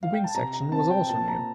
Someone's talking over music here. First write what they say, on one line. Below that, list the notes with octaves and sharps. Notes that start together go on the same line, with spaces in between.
The wing section was also new.
F5
G5
A5
C3 A#5
A#5
C4 A5
G5
A#2 A5
A#5